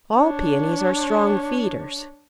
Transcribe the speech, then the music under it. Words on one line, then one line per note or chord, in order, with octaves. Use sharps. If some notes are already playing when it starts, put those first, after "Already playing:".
All Paeonies are strong feeders.
D4 C#5